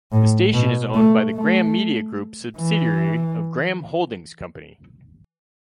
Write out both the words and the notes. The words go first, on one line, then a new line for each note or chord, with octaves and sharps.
The station is owned by the Graham Media Group subsidiary of Graham Holdings Company.
A2
B2
A3
A3
E3